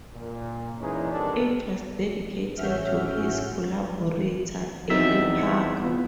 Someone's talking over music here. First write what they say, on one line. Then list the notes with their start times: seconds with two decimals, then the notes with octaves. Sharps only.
It was dedicated to his collaborator, Ely Parker.
0.13 A#2
0.80 A#2 E3 G#3 C#4 D#4
1.12 G2 C3 D#3 D4 A4
2.57 A1 C#4 F#4 E5 F6 G6
4.90 E2 C4 D#4 E5
5.82 B3 F4